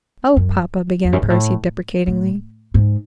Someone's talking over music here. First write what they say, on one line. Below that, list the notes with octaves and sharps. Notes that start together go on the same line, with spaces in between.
"Oh, papa!" began Percy, deprecatingly.
F#2
E2
F#2
G#2
A2
A2
G#2